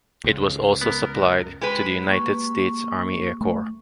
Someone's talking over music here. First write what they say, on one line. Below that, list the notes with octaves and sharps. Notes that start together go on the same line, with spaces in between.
It was also supplied to the United States Army Air Corps.
C#2
B3 A#4
G#3 G4 B4
A#3 C#6
A3